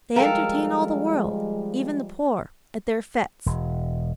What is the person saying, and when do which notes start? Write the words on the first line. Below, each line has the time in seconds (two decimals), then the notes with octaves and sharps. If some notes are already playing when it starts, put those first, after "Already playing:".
They entertain all the world, even the poor, at their FETES.
0.16 F3 G3 G#3 A4 A#4 F5 G5
3.46 E1